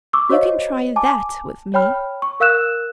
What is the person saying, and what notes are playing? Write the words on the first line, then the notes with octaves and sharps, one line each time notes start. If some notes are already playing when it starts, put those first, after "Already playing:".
You can try that with me.
C#6 D6 E6
F#4 C5 C#5 D#5 F5
G#5 A5 D6
C#5 G5 B5 F6
C#6
A#4 F5 E6 F#6 E7